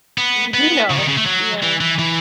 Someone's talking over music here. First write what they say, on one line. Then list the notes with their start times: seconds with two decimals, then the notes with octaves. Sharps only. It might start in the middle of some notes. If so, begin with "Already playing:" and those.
You do know, yeah.
0.18 B3
0.54 B3
0.91 C#3
0.99 D#3
1.09 C#3
1.18 A3
1.26 F#3
1.63 E3
1.81 E3
1.99 E3